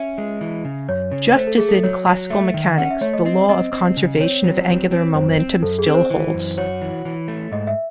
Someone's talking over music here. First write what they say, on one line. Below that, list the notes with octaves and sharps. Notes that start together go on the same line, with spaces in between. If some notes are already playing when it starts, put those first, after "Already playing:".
Just as in classical mechanics, the law of conservation of angular momentum still holds.
Already playing: C#4 E5
G#3
E3
C#3
F#2 C#5
C#3
A3 C5
A4
A3 G#4
A4
F#3 C#5
F#3
A3 E5
D#3
C#4 F#5
E5
A3 C#5
D#5
C4 D#5
C4 D#5
C4
C#3
C4 C#5
F#3
C4
C4
F#2 C5
C4
F#2 A4
G#4
C4
C5
E3
F#2
F#4 C#5
E3
E3
A3
G#2 D#5
E5